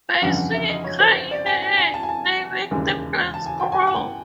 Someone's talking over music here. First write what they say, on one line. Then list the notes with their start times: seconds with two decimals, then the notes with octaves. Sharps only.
By swinging high in the air, they make the plants grow.
0.15 F5
0.22 G1 F2 C#3 E3 F#5
0.37 F#5
0.54 E5
0.69 D#5
0.84 C#5
1.00 C5
1.16 C5
1.31 D5
1.46 G#5
1.62 G#5
1.78 G#5
1.94 A5
2.03 G#5
2.09 A5
2.71 E1 D#2 C#3 E3 G#3
3.34 A5
3.46 G#5
3.60 G5
3.72 G#5
3.87 F#5
3.96 G5